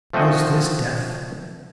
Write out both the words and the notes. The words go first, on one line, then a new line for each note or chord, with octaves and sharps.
Was this death?
F3 A3 C4 F#4 D#5 G#5